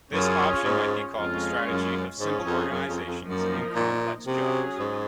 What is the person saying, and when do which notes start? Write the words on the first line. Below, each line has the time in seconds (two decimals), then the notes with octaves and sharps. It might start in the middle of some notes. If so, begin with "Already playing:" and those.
This option might be called the strategy of 'simple organisations and complex jobs'.
0.13 F#2 C#4 F4 G#4 C#5
0.65 G#2
1.16 F2 G#3 C#4 F4
1.69 F#2
2.20 G#2 C#4 F4 G#4
2.46 F2
2.72 F#2
2.89 F2
3.07 F2
3.24 F#2 F3 A#3 D#4 A#4
3.76 A#2
4.27 C3 F#3 C#4 G#4
4.79 G#2